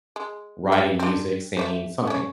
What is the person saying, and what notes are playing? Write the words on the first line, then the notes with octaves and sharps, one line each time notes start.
writing music, singing, something,
G#3
E5
C4 D4
C5 C#5 E5
C#4 C#5